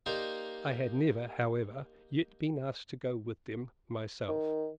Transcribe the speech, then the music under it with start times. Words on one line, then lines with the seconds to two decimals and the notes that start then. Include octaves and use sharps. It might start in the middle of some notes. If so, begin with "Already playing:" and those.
I had never, however, yet been asked to go with them myself.
0.06 A#3 D#4 G4 A#4 C5 D5
4.28 D#3